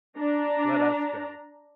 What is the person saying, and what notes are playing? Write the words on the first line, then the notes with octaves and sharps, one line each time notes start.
"Let us go."
D4 A#5